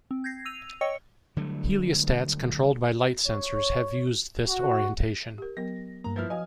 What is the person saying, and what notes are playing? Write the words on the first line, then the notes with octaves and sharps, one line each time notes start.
Heliostats controlled by light-sensors have used this orientation.
C4
G6 G#6 A#6 C7
E6 D#7 F7
C#5 D#5 G5 C#6 E6 C#7
D3 F#3 G3 A3
C#5
F#4
G4 A#4
F#3 B3 A#4 A#6
G2 A#3 A#5
F3 E4 B4 F6
F3 F#4 D#5 F5 G#5